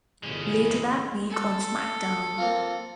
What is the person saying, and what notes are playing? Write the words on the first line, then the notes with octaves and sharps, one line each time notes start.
Later that week on SmackDown!
G1 B2 D3 E3 G#3 C#4
A4
A#3 C4 F4